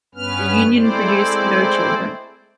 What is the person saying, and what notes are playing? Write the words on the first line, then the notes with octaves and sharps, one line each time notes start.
The union produced no children.
G2 B3 C#4 B4 F6
G#3 A3 C4 E4 C5 D5